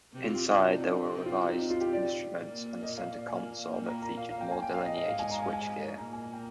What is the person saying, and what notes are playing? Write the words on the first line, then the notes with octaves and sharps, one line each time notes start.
Inside, there were revised instruments and a centre console that featured more delineated switchgear.
C3 C4
F4
G4
F4
C3 C4 D4
D#4
D4
G4
F4
D#4
D#4
F4
G4
D5
A#2 A#3
D#5
F5
D5
A#2 A#3 G#5
G5
A#5
A#5
F5
F5
G5
G#5
G5
F5
D#5
D#5
G#2 G#3 F5
G#5
A#5
G#5
G#5
A#2 A#3 A#5
G#5
G5